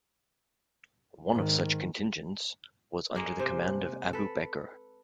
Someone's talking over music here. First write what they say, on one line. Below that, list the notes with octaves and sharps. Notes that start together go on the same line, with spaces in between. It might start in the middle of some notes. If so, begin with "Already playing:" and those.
One of such contingents was under the command of Abu Bakr.
G#2 D#3
G#3 A#3
C3 C5
A4 B4